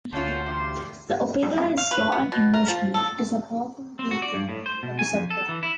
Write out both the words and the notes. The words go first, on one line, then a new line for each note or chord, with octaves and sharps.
The opera is raw and emotional; it is a powerful vehicle for the soprano.
D2 A#2 C#4 F4 C5 F#5 A5
E2 F4 G4 C6
F5
B4
B3
B2
A#4
F3
A4
C4
F#4
D5
G2
A2
C5
B2
G#5
F2
A4
E3
E4